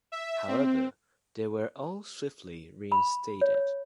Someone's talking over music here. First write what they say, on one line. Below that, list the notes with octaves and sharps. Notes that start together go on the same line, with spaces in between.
However, they were all swiftly reinstated.
E5
C4
B5
C#5
C#5